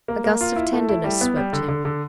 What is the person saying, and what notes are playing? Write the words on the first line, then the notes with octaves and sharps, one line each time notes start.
A gust of tenderness swept him.
A#3
A#3
F4
E4
A3
E4
G3
B3
G3
D3
D3
D3